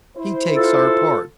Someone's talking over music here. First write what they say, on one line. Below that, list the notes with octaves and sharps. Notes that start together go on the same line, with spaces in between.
He takes our part.
E4 C5
F4 A4